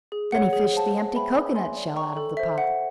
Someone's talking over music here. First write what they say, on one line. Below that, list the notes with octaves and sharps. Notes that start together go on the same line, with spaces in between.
Then he fished the empty cocoanut shell out of the pot.
G#4
C#5 F#5
G#4
C5 F5 A5
G#4
B4 E5 G5 B5
C#5
E5 G#5 C6
D5
G5 A#5 C#6
A4
C5 E5
F#5